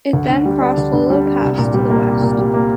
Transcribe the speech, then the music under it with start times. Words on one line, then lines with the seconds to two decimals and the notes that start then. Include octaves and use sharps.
It then crossed Lolo Pass to the west.
0.13 D2
0.30 D3
0.46 G3
0.61 D4
0.78 D2
0.93 D3
1.10 G3
1.26 D4
1.42 C2
1.58 A#2
1.74 G3
1.90 A#3
2.07 C2
2.22 A#2
2.39 G3
2.54 A#3